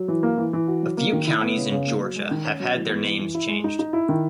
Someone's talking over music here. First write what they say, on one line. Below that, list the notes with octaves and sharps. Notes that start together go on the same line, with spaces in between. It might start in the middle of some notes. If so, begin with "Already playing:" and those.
A few counties in Georgia have had their names changed.
Already playing: F#3
E3
A#3
E3
E3
F#4
F#3
A#3
D#3
E4
B3
C#3
C#3
A#3
F#3
G#3
D#3
C#4
F#3
E3
B3
E3
E3
E4
G#3
D#4
D#4
E4
D#3